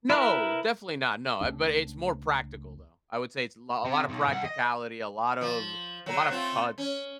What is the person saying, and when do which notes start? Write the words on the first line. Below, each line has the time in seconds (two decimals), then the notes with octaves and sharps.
No, definitely not, no, uh, but it's more practical though. I would say it's lo lotta practicality, a lot of a lot of cuts
0.10 E4 A#4 B4
1.41 C#2 A3 C#4 D4
3.84 C3
4.09 B1
4.28 C2 F#5
4.45 D#5
5.41 F3
6.06 F#3 A3
6.29 A3 C4 F4
6.78 C#4